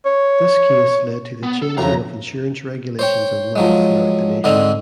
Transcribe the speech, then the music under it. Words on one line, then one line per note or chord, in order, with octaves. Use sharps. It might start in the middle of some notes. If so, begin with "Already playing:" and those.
This case led to the changing of insurance regulations and law throughout the nation.
C#5
B3
A4
F2 A2 C#3 F#3 A#5
C5 C#5 G5
F3 F#3 G#3
G#2 D3 C4 D#5